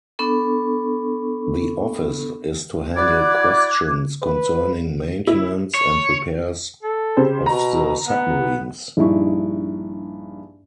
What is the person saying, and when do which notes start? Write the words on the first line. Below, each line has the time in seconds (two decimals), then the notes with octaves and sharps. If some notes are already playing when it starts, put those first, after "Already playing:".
The office is to handle questions concerning maintenance and repairs of the submarines.
0.19 B3 D4 A4 C#6
2.97 E4 F#4 D5 D6 F#6 G#6
4.22 B4
5.27 E4
5.74 C#5
6.83 A4
7.17 C#3 G4 C5
7.46 B2 A#5
8.07 B3
8.97 A#1 G2 D#4 E4 C#6